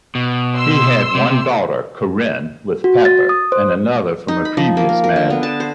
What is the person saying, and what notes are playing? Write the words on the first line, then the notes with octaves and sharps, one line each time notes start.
He had one daughter, Corinne, with Pepper, and another from a previous marriage.
B2
C6 E6
C3
F#4
A6
D#6
C5
D#4
B5
F3
A#3
A#4
A#4
D3
B3
A5
C5